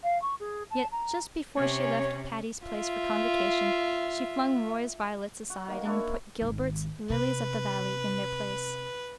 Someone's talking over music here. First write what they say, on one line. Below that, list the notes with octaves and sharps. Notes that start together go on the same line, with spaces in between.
Yet just before she left Patty's Place for Convocation she flung Roy's violets aside and put Gilbert's lilies-of-the-valley in their place.
F5
C#6
G#4
A5
A#5
C3 C#4 C#5
F4 E5
F#4
D#3 A#3
D4 E4 C#5
C#5
G#1 D#3
C3 B4